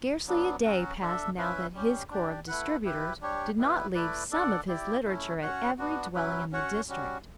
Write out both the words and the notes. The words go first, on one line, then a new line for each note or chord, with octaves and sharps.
Scarcely a day passed now that his corps of distributors did not leave some of his literature at every dwelling in the district.
F#3 B3 D4
F#3 C#4 F#4
D4 A4 E5
C#4 E4 B4 E5
G3 C#4 G4
D4 G4 D5
A3 E4 B4 F#5
E4 G4 B4
G3 D4 G4 C#5
G3 B3 E4 B4
A3 E4 B4 D5
D4 A4 D5 F#5
E4 G4 D5
A3 C#4 E4
C#4 F#4 C#5 F#5
B3 D4 F#4
F#3 C#4 E4 B4
C#4 F#4 C#5 F#5
G3 C#4 F#4